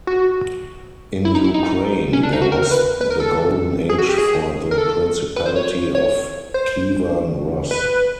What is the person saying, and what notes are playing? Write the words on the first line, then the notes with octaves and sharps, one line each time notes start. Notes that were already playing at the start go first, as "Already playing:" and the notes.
In Ukraine, there was the golden age for the principality of Kievan Rus.
F#4
E4
D#4
E4
D#4
C#4
D4
D#4
F#4
A#4
A#4
B4
B4
A#4
A4
G#4
F#4
G4
G#4
A#4
A4
B4
C5
C#5
C#5
C5
B4